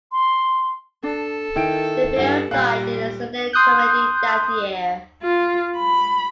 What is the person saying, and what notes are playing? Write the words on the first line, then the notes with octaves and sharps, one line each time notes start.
The bill died in a Senate committee that year.
C6
D4 A4
D#3 E4 G5 D7
G2 E4 F#5
A#2 G3 F5 B5 F#6
C6 D#6 F#6 G6
F4
B5